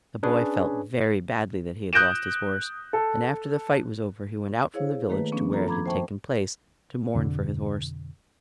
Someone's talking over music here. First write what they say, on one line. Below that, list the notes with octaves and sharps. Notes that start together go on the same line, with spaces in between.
The boy felt very badly that he had lost his horse; and, after the fight was over, he went out from the village to where it had taken place, to mourn for his horse.
C#4 D4 G#4 B4 C#5
D#6 F#6 G6 A#6 D7 E7
A4
E4 G#4 C5 C#5 F5
D#3 A3 A#3 A4 B4
F3 A#3 B3 C#4 D4
F4 A4 A#5 B5
F#2 F3 A#5 B5 D6 G#6
C5 E5 G5 A5 C#6
F2 B2 D3